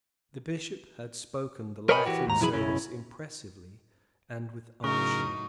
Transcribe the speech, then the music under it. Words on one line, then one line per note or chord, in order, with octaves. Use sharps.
The Bishop had spoken the Latin service impressively and with unction.
A#4 B4 C#5 D#5 G#5 B5
E3 F#4 G4
D#2 G#2 A#5
B1 F2 E3 E4 G#4 B5
B1 F#2 C#3 C#4 E4
A2 C#3 F#3 D#4 A#4 C#6